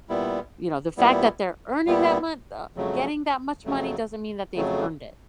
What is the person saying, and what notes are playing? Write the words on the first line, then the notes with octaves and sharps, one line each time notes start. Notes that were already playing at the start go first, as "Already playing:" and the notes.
you know, the fact that they're earning that mon uh, getting that much money doesn't mean that they've earned it.
A#2 G3 B3 E4
A#2 G3 B3 E4
A#2 G3 B3 E4
F2 C#3 F#3 A3
F2 C#3 F#3 A3
F2 C#3 F#3 A3